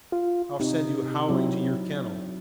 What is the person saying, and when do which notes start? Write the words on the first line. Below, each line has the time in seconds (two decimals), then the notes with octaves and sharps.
I'll send you howling to your kennel!
0.12 F4
0.60 C3 D#4
1.29 F#3 C4 E4